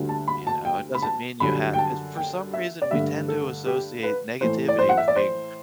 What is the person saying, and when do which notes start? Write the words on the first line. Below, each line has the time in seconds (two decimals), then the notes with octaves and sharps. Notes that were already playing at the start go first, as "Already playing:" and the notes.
You know? It doesn't mean you have eh, for some reason, we tend to associate negativity with being
Already playing: D2 D3 G3
0.09 A5
0.28 B5
0.47 A5
0.65 G5
0.95 B5
1.03 A5
1.40 F#2 D3 G3 B5
1.73 G5
1.78 A5
2.16 G5
2.54 E5
2.82 D5
2.91 G2 D3 A3 E5
3.28 A4
3.66 G4
4.03 B4
4.41 A2 E3 A3 C5
4.68 D5
4.79 C5
4.89 F#5
4.97 E5
5.08 D5
5.16 C5